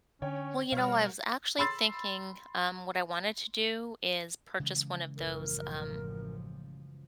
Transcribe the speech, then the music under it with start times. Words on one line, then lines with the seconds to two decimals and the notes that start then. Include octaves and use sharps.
Well, you know, I was actually thinking, um, what I wanted to do is purchase one of those, um,
0.22 D3 C#4 C#5 G5
0.72 B2 G3 F#4 A#4 C#5 F5 F6
1.59 B5 C6 E6 A6 C7
4.60 C#3 E3 G#3
5.17 A1 F#2 F3 A#4